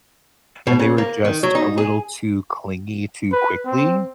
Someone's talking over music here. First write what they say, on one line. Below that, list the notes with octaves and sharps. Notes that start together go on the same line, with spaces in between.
and they were just a little too clingy too quickly
B2
C#3
A#3
D#3
F#3
D#4
G#4
B4
C4